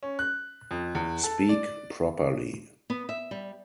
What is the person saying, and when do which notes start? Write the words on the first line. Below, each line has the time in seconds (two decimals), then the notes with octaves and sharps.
Speak properly.
0.03 C#4
0.19 F#6
0.71 F2
0.95 E2
1.23 A4
1.49 D5
2.90 B3
3.09 E5
3.31 G3